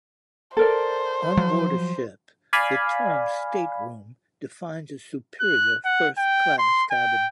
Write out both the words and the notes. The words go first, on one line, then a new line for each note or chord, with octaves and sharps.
On board a ship, the term "state room" defines a superior first-class cabin.
A4 A#4 C5 D5
F3 F#3
D5 F5 G#5 B5
F#6
F#5
G5
C6
G5